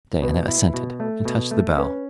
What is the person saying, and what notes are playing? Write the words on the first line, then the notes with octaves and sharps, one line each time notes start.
Diana assented, and touched the bell.
B2 B4
E4
B2
A3 A4
B2
A3
C#4 B4